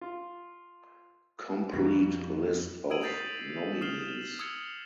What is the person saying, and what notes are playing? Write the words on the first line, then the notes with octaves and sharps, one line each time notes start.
Complete list of nominees.
F4
F2 B2 D#3 G3
D#6 E6 G#6 D7 D#7 F#7
D#6 G6 A6 B6 C7
D#6 F6 C7 E7 F#7 G7
D#6 E6 G#6 C#7